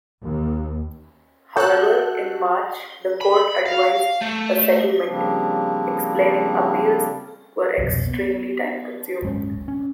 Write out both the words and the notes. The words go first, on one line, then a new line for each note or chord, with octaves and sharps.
However, in March the court advised a settlement, explaining appeals were extremely time consuming.
D#2
F#4 A4 F#6 G6
B5
F5
A3
C#3 F3 G3 A#3 C4 D4
C2 F2 B2
B3
D1 G1 G#3 C#4
C#4